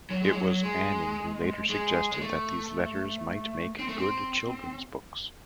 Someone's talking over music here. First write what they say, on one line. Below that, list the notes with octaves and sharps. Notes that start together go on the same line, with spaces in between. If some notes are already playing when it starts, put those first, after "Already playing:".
It was Annie who later suggested that these letters might make good children's books.
F#3
G#3
F#3
G#3
G#3
G#3
A3
C4
A3
C4